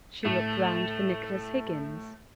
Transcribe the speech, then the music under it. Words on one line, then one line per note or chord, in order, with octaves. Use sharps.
She looked round for Nicholas Higgins.
A2 A3